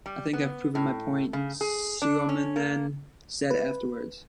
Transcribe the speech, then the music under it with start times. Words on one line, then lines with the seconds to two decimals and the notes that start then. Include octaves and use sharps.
"I think I've proven my point," Suominen said afterwards.
0.06 G3
0.33 B3
0.75 A2
1.33 C#3
1.61 G#4
2.02 D4
2.29 C#4
2.56 A#3
3.50 B4